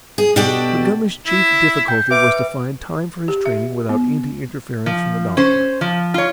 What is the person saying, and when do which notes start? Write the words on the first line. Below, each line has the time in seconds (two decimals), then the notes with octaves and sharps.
Montgomery's chief difficulty was to find time for his training without any interference from the doctor.
0.18 G#4
0.36 B2 D4 F#4 G4 A4
1.27 E4
1.88 G5 G6
2.11 B4 E5 D6
3.28 G4
3.46 E5
3.89 B3
4.86 F3
5.37 C#4 C5
5.81 F3
6.14 F4 C#5